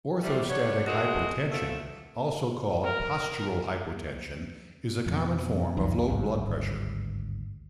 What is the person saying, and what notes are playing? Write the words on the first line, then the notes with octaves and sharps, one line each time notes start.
Orthostatic hypotension, also called "postural hypotension", is a common form of low blood pressure.
A2 C3 G3
B3 D4 C#5
F#3 G#3 A3 F#4 A#4
D2 E3 F3 A3
A#4
F2 B2
C2 F2 D#3
G#1 D2 G2